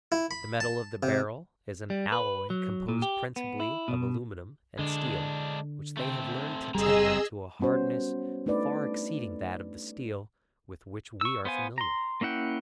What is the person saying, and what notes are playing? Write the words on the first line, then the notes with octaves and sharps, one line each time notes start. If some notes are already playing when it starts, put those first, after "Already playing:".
The metal of the barrel is an alloy composed principally of aluminum and steel which they have learned to temper to a hardness far exceeding that of the steel with which we are familiar.
E4
B5
A5
C3
G3
B4
F#3
A#2
G4
B3
E4
B2
D3 G#3 D4
A3 C4 G5
F#1 G3 C4 G#4 D#5 A#5 E6
G3 B3 C#4 F#4 C5
A3 D4 D#4 B4 D5
C#6 E6
B3 C5 F5 G#5
A#5 C6
A#3 C#4 E4 F#5 G5